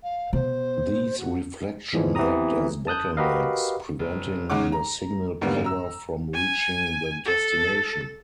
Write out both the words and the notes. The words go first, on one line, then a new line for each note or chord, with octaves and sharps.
These reflections act as bottlenecks, preventing the signal power from reaching the destination.
F5
B2 C5
F#4
E2 G#2 E3 F3 G#3
E3 B3 C4 G4 A#5 D#6
A5 D#6 F#6 G6
F#4 G4 A#4 B4 D#5 F5
F1
C#3 G#3 D#4 C#5 F#5 D6
A#5
E2 G#2 D3 G3 A#3 B3
A#5 E6
G#5
A4